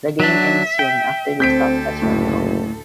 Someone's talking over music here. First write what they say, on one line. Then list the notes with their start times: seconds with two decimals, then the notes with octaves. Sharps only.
The game ends soon after the stock has run out.
0.20 F#3 D4 E5
0.79 G5
1.40 D2 C4 A4 G6 B6 D7
2.02 F#1 A2